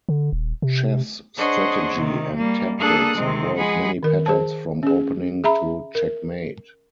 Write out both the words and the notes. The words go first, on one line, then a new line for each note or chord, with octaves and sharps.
Chess strategy and tactics involve many patterns from opening to checkmate.
D3
D#1
C3
D4 G#4 C5 C#5 D#5 F#5
C3 D#3
G3 A#3
A#3 D4 G#4 A4 D#6 F#6
C3 D#3 G#3 C4
F3 G#3 G#4 F#5 G#5 B5
D#3 A#4
G#4 C5 A5
C#4 G#4
G#4 E5 A#5 B5
A#4